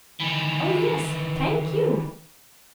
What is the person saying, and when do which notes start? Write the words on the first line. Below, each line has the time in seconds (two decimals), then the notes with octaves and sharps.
Oh yes--thank you.
0.20 D#3 E3